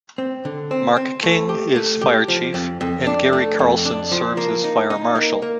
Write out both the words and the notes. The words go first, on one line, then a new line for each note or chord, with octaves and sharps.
Mark King is Fire Chief and Gary Carlson serves as Fire Marshal.
C4
D3
C4
C4
A3
G4
A3
G4
F3
F2
F2
D4
A3
F2
D4
F3
A#3
D#4
D#4
A#3
A#3